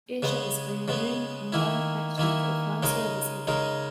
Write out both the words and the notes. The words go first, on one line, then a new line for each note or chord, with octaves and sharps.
Asia is pioneering online action to offline services.
C#3 G#3 B3
C#3 G#3 B3
D#3 A#3 E4
D#3 A#3 E4
C#3 G#3 D#4 A#4
C#3 G#3 D#4 A#4